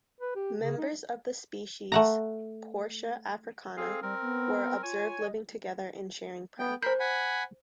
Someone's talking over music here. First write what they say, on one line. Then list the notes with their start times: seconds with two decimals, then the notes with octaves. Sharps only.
Members of the species "Portia africana" were observed living together and sharing prey.
0.21 B4
0.35 G4
0.61 C#3
0.78 D#4
1.92 A3 F#5 A#5
3.77 C4 G#4 A4 F5
4.02 G3 C4 A#4
4.22 B3
4.83 F4 C#5 G#5
5.19 D#5
6.59 B3 G5
6.83 A#4 C5 B5 G6
7.00 F#5 G#5 B5